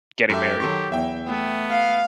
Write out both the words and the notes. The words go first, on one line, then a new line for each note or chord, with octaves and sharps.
getting married.
F#2 G4 A4 E5
D#3 F#3 A4 C6 C#6
E2 E5 G5
A3 B3
F5